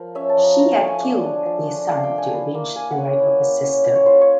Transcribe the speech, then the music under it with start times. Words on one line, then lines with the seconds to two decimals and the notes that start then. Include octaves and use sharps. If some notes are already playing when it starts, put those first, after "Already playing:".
She had killed their son to avenge the rape of her sister.
Already playing: F3 A#4
0.15 C#4 E5
0.29 A5
0.37 F3
0.44 A#5
0.58 F4 A#5
0.73 A5
0.80 A3
0.88 G#5
1.02 D4
1.24 D4
1.46 F3
1.67 D4
1.89 A3 F5
2.03 G5
2.11 D4
2.18 G#5
2.33 E4
2.54 A#3
2.76 A#3 G#5
2.91 F#5
2.98 C#4
3.19 E4
3.41 A#3
3.63 C#4
3.85 C#4
3.95 C#5
4.06 F4 C5
4.21 C#5